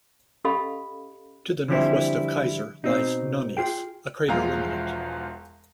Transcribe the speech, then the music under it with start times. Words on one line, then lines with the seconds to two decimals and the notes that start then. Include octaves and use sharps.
To the northwest of Kaiser lies Nonius, a crater remnant.
0.45 C#4 G4 A4 D#5 F5 B5
1.68 D3 E3 F3 G3 C4 E4
2.84 B2 C4 D#4
3.57 F4 G#4 G5
4.28 E1 E2 F3 G#3 F5 A#5